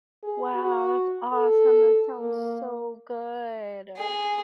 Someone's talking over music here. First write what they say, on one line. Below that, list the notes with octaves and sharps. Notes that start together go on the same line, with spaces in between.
Wow, that's awesome, that sounds so good. Oh,
G#4
F#4
A4
A#3
G#4